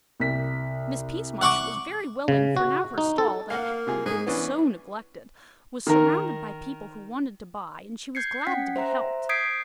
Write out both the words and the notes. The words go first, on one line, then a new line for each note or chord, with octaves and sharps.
Miss Peasmarsh was very willing, for now her stall, that had been SO neglected, was surrounded by people who wanted to buy, and she was glad to be helped.
C2 B6
F#5 C#6 D6
C#3
F#4
D#4
A4
A#3 F5 F#5
C3 F4 G#4
G#2 G#4
E3 B3 C#4 D4
D#3 A#4
G6 G#6 C7 C#7
C#4 F#5 G5 B6
C5 E5 A#5
D#6 G6 G#6 B6 C7 D7